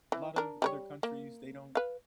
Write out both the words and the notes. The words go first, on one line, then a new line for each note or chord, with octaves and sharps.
a lot of other countries, they don't
E3
D4 A#4
G3 A#4 C#5
A#3
B4 F5